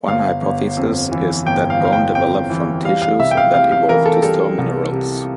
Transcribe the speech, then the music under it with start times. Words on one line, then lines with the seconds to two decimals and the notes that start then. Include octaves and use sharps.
One hypothesis is that bone developed from tissues that evolved to store minerals.
0.08 G1 F5
0.42 G1
0.77 F2
1.12 E3
1.46 G1 G5
1.70 F5
1.80 G1 F5
1.93 G5
2.15 F2 G5
2.50 E3
2.85 G3 F5
3.02 F5
3.19 C2 E5
3.31 G5
3.37 F5
3.54 C3 F5
3.72 F5
3.89 E3 A#4
4.06 A4
4.23 G3 A4
4.58 C2
4.92 C3